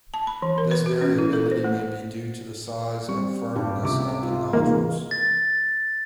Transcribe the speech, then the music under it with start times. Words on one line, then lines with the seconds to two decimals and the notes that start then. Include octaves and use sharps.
This variability may be due to the size and firmness of the nodules.
0.14 A5
0.27 B5
0.42 E3
0.58 A#4
0.71 B4
0.86 F#4
1.01 C#4
1.19 E4
1.33 A4
1.51 C5
1.64 A3
3.09 G3 C4 C#6
3.56 G2 G4
3.81 C#2 C3 D6
4.23 F4
4.53 D#2 C3 E3 G#3 A#3
5.11 A6